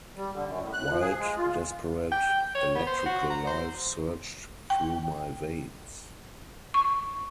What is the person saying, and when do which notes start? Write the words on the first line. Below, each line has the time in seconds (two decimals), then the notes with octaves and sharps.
Wild, desperate, electrical life surged through my veins.
0.16 G3
0.33 D3
0.46 F#2
0.60 A2
0.73 F#6
0.89 F3
1.01 G#4
1.19 G#3
1.37 F4
2.12 G5
2.55 C#5
2.75 B3
2.87 C5
3.06 F#4
3.30 A#5
3.47 C5
4.70 G5
6.74 C#6